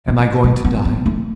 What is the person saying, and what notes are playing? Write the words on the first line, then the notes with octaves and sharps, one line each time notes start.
Am I going to die?
B3
A3
B3
B3
A3